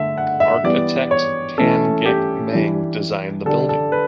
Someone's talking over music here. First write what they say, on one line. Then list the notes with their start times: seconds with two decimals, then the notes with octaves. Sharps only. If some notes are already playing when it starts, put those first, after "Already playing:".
Architect Tan Gek Meng designed the building.
Already playing: D3 A3 D4 E5
0.18 F#5
0.40 E5
0.64 E3 G3 B3 D5
1.11 C#5
1.58 E3 A3 C#4 A4
2.05 G4
2.51 E3 G3 D4
3.45 D3 G3 D4 A4
3.69 A4
3.92 B4